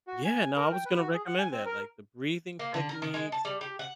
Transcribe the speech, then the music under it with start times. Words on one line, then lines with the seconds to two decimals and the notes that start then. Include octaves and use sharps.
Yeah no, I was gonna recommend that, like, the breathing techniques
0.07 F#4
0.25 G#5
0.41 G#5
0.56 A#4
0.72 G5
0.85 B4
0.98 F#4
1.13 G#4
1.27 F#5
1.38 G#5
1.52 C4
1.66 A#4
2.59 A#3
2.74 D3
2.89 A#4
3.02 D#3
3.14 G#3
3.32 A5
3.45 G3
3.61 G4
3.79 F#5